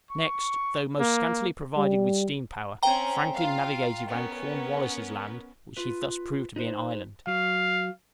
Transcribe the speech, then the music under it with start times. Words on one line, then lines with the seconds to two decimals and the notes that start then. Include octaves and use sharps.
Next, though most scantily provided with steam-power, Franklin navigated round Cornwallis' Land, which he thus proved to be an island.
0.11 C#6
1.00 A#3
1.77 G3
2.83 C4 C#4 G5 A#5
3.37 F4 F5
4.07 B3 C#4 A#4
5.77 F4 B4
6.56 D#4 B4 C5
7.27 F#3 F5